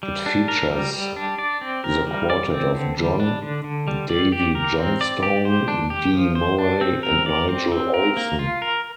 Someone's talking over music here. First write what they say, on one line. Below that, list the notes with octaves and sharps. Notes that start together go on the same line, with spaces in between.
It features the quartet of John, Davey Johnstone, Dee Murray and Nigel Olsson.
G3
D4
A#4
G3
G3
D4
D5
C4
A#4
G3
D5
C4
D3
G3
D4
D3
D3
G3
D5
G4
A#4
C4
D5
G4
C5
D4
G4
F3
C5
D4
C4
A#4
D5
C4
C4
A#4
A#3
F4
A#4